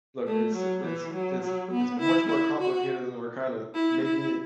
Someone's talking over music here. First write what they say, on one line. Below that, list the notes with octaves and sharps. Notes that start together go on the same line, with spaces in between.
look, it's it's it's it's much more complicated than we're kinda making it,
A3
F#3
E3
F#3
F#3
B3
E4
E4
F#4
E4
E4